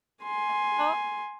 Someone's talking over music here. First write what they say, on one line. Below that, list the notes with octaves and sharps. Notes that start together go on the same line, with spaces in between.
Uh, oh uh,
G#5 C6